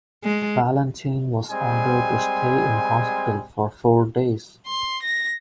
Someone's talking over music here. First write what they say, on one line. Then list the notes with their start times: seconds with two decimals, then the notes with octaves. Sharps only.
Valentine was ordered to stay in hospital for four days.
0.24 G#3
1.50 G3 G#3 C4 G#5
4.66 C6
5.02 A#6